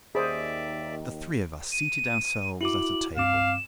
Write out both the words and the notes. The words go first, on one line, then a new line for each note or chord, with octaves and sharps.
The three of us seated ourselves at a table.
D#2 D#3 G#4 C5 D5 E5
D#7
E4 F#4 D6 F#7
G2 C4 F5 D6 E7